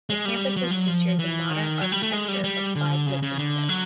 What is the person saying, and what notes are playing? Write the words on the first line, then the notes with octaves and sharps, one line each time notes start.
The campuses feature the modern architecture of Clive Wilkinson.
G#3
G3
F#3
F3
F#3
F3
E3
D#3
F#3
G3
A3
G#3
G3
G3
D3
C#3
C#3
D3
F#3